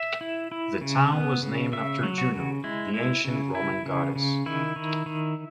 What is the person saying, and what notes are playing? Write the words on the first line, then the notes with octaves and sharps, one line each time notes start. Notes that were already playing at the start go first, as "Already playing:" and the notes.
The town was named after Juno, the ancient Roman goddess.
Already playing: E5
E4
E4
C#3
B3
C#3
C#3 E5
F#3
F#4
C#3
G#3 E4
E4
C#3
E4
C#3
C#3
D#3 E4
D#3
D#3